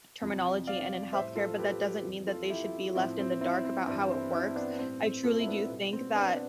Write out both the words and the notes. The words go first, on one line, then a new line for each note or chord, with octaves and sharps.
terminology and in healthcare, but that doesn't mean that they should be left in the dark about how it works, I truly do think that
F2 C3 F3
D5 F5
A2 G3 C5 E5
F4 A4
G4 B4
G4 B4
F2 E3 G3
F4 A4
E4 G4
A2 F3 C4 E4
C4
C4 E4
C4
G2 E3 G3 C4 E4
C4 E4
C4 E4
B3 D4
A2 G3 C4
C4
F4 A4
E4
B3 D4
B2 G3
C4
B3 D4